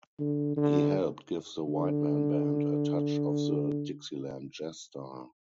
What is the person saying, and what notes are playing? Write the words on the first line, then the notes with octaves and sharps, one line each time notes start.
He helped give the Whiteman band a touch of the Dixieland jazz style.
D3
D3
D3